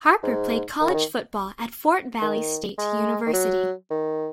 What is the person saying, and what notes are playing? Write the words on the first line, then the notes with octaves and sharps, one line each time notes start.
Harper played college football at Fort Valley State University.
G#2
D#3
C#3
D#3
D#3
G#3
D#3
F#3
D#3